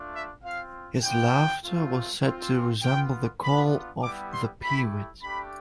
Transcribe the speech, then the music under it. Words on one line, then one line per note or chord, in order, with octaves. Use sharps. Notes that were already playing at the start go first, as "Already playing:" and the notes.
His laughter was said to resemble the call of the peewit.
Already playing: A3 D4 F4
E5
C4 F4 F5
B3 D4 F4 G5
A3 C4 F4
C4 F4
B3 F4 G5
B3 D4 F4 B5
G3 B3 E4 G4 D6
C6
A3 E4 G4 B5
A3 D4 G4 B5